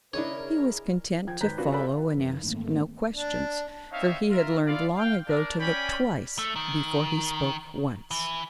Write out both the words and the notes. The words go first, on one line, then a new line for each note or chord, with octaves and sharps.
He was content to follow and ask no questions, for he had learned long ago to look twice before he spoke once.
C#3 D4 E4 G#4 A#4 C#5 D#5 C#6
F3 G5 G#6
G#1 B4 A#5 G6 B6
C4 D4 F4 F#4 A#4 B4
A4 B4 D5 F5 B5
F#2 D#3 E3
G#2 D#3 A3 A#3 C4
D4
C4 D#4 C#5 E5 F5
F4 A#4 E5
E4 F4 D5 F5
F5 G5
D4 A#4 D5
C#4 C#5 D5 G5 G#5 B5
A3
D#3
E3